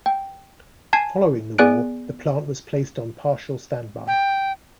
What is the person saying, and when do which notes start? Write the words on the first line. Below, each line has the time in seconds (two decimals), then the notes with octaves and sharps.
Following the war, the plant was placed on partial standby.
0.06 G5
0.93 G#5 A5 G#6 C7
1.58 B3 G#4 D5 G#5 F#6 D7
4.08 G5